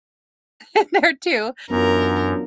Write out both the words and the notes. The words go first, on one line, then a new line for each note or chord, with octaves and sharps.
in there too.
F#2 E3 F#3 B3 D4 F4 A#4